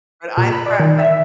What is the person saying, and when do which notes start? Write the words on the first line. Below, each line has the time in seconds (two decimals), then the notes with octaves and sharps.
But I'm prou I
0.37 A#2
0.52 B5
0.66 D5
0.80 D#3
0.98 E5